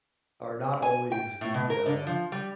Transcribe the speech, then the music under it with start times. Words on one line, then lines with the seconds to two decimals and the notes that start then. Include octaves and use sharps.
are not always the uh
0.82 G#5
1.12 G5
1.41 A2
1.54 B2
1.70 A#4
1.86 D3
2.07 F3
2.32 G3